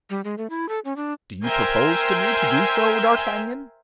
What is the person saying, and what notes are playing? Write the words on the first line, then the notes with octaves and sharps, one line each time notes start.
"Do you propose to me to do so, D'Artagnan?"
G3
G#3
A3
E4
A4
C#4
D4
A#4 C5 E5 G5 G#5 C6